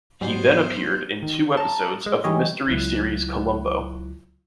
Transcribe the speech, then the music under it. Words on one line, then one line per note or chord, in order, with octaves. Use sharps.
He then appeared in two episodes of the mystery series "Columbo".
G#2 F#3 G3 B3 F#4 C5
D#3
A5 A#5
G#3
E3 G3 G4 G#4 C#5 D#5
C#2 F#3 E4 F4 F#6